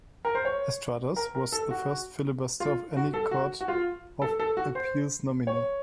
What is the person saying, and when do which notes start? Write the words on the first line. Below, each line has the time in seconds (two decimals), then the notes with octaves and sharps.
Estrada's was the first filibuster of any court of appeals nominee.
0.25 A#4
0.35 C5
0.45 C#5
1.16 A#4
1.35 A#4
1.52 A4
1.71 F#4
2.60 F4
2.97 F#4
3.14 A4
3.31 F#4
3.61 F#4
3.68 F4
4.22 A4
4.40 A4
4.57 F#4
4.75 C5
5.47 C#5